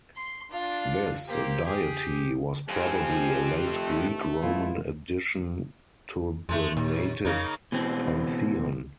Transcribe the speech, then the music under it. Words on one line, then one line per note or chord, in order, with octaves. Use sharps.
This deity was probably a late Greek-Roman addition to the native pantheon.
C6
D4 F4
A#3 C4 G4
G4 G#4
F2 F3 G#3 C4 G4 G#5
C3 D#3 A3
G#3 B3 E4 F4
F2 G#3 A3
D#2 A#2
F2 C#3 A#3 D#4
B2 E3 C4